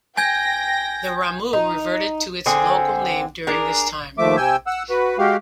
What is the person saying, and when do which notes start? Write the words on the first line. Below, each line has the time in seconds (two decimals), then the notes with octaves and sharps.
The Ramu reverted to its local name during this time.
0.17 G5 G#5 G6 G#6 A#6
1.53 D#4
2.46 D3 C4 G#4
3.47 D4 G#4 A#4
4.18 D#2 F3 A3 E5 D6
4.37 C3 G5 G#5 E6
4.67 F#5 E6
4.90 F#4 B4
5.18 G#3 F#4 G4 F5